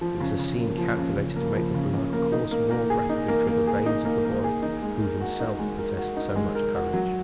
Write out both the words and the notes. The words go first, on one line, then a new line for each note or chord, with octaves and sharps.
It was a scene calculated to make the blood course more rapidly through the veins of the boy, who, himself, possessed so much courage.
F3
C#3
C#3
A#3
F3
C#3
C#3
A#3
F3
C#3
C#3
A#3
D#4
A#3
A#3
G#4
D#4
A#3
A#3
G#4
D#4
A#3
A#3
G#4
D#4
G#3
A#4
F#4
D#4
G#3
A#4
F#4
D#4
G#3
A#4
F#4
F#3